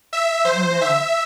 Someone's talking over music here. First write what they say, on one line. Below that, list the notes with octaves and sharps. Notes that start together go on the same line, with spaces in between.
I don't know.
E5
C5
E5